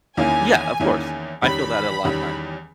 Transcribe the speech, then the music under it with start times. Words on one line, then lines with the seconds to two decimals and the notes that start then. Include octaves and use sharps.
Yeah, of course. I feel that a lotta times.
0.17 E2 D#3 A#3 C#4 E4 G#5
0.80 E2 D#3 A#3 C#4 E4
1.42 E2 D#3 G3 C#4 B5
2.04 E2 D#3 G3 C#4